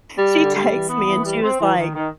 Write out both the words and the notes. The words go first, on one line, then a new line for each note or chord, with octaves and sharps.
she texts me, and she was like,
G3
D3
G3
E3
B3
E3
G3
C4
E3
D#3
D#3